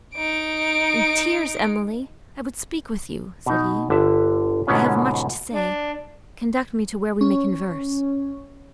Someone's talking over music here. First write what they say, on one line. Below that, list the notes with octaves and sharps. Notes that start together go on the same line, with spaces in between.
'In tears, Emily! I would speak with you,' said he, 'I have much to say; conduct me to where we may converse.
D#4 D7
B2 D#4
G1 D3 E5
G#2 B2 D3 B3 C#4 F4
D4
C#4